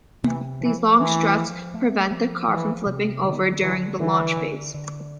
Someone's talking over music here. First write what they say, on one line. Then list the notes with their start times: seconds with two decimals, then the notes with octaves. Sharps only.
These long struts prevent the car from flipping over during the launch phase.
0.24 C3 E3
0.61 E3 F3
0.98 E3 A3
1.37 F3
1.74 A3
2.11 F3
2.48 E3 F3
2.87 C3
3.24 D3 D#3
3.61 D3 E3
3.99 D3 E3
4.36 D3
4.74 D3